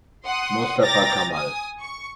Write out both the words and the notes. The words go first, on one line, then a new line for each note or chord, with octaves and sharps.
Mostafa Kamal.
F#5 C6 D#6
G5 A#5 D6 A6 A#6
G#5 D#6
C#6